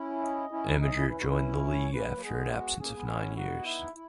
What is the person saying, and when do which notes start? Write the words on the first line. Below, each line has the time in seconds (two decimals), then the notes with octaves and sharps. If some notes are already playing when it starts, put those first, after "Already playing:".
Amager joined the league after an absence of nine years.
Already playing: C#4 E4
0.22 D#5
0.51 C#4 E4
0.68 D#4
0.79 C#4 E4 D#5
0.89 D#4
0.93 C#4 E4
1.08 C#4 E4 B4
1.17 D#4 F#4
1.27 C#4 E4
1.66 C#5
1.94 A#3 C#4 B4
2.03 G#3 B3
2.13 F#3 A#3
2.23 G#3 B3 G#4
2.51 F#4
2.79 A#3 C#4 G#4
2.93 G#3 B3
3.08 C#4
3.26 E4
3.36 B3 D#4 F#4
3.65 E4
3.93 E4